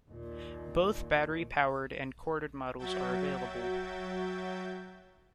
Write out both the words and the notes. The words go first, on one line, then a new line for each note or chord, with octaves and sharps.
Both battery-powered and corded models are available.
D#2 A#2
F#3 F#4 E5 G5 G6 A6